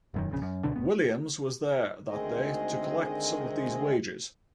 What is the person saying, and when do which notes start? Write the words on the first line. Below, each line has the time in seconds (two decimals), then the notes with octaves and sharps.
Williams was there that day to collect some of these wages.
0.14 E1 F#2 D#3
0.30 F1 A#1 C#3
0.42 F#2
0.64 C#2 B2 D3 D4
0.76 F1 B3
2.08 D2 D#3 G#3 C4 G#4 D#5